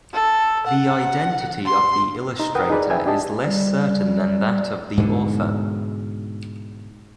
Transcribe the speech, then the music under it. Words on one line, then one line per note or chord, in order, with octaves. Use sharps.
The identity of the illustrator is less certain than that of the author.
A4
F#5
C6
D#4 A#5
A#4 B4 F#5 G5 D#6
D#4 G#4 B4 D5
E5 G5 G#5
D4 G4 D#5 A5
G3
G#2 B2 D3